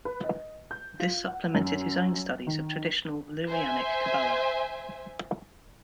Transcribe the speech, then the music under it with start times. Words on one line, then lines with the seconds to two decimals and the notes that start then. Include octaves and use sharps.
This supplemented his own studies of traditional Lurianic Kabbalah.
0.05 B4
0.24 D#5
0.71 G6
1.00 F4
1.27 F#5
1.55 F#2
2.47 D#3
3.48 C5 E5 G#5